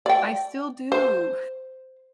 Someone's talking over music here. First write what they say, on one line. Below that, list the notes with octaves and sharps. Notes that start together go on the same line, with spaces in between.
I still do.
D5 G5
C5